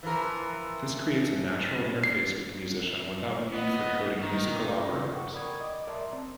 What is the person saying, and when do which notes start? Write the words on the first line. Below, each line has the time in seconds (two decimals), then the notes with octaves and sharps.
This creates a natural interface with the musician without need for coding musical algorithms.
0.03 E3 F3 A#4
2.04 C7
3.53 B3 D#5
4.22 D#3 D#4
4.93 C#3
5.13 F#5 G5 C#6
5.33 A#4 D5 B5 D#6 G#6
5.61 D#5 D6
5.87 A#4 D5 E5 A5 A#5 C6
6.13 C4